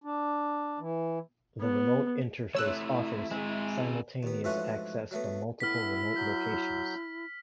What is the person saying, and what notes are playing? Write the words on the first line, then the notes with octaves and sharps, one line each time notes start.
The remote interface offers simultaneous access from multiple remote locations.
D4
E3
B3
F3 A3 E4 C#5 E6 F#6
G#3 C4 G#4
D#2 B3
G#2 E3 F3 A3 C#4 F#4
F#3 A3 B3
A2 B3 E4 F6 B6
F#3 G6